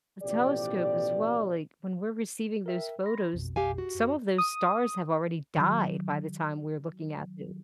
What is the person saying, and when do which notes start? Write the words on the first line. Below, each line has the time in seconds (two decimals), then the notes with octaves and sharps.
the telescope as well, like, when we're receiving those photos, some of those stars have already died by the time we're looking at those.
0.23 A1 B2 F3 G4 D5
2.66 A#4 E5 G5
3.03 B5 C6 A#6
3.33 A#1 F2 B2
3.56 G4 F5 G#5
3.78 F#4
3.95 F#2
4.38 D#6
5.57 D#3 F#3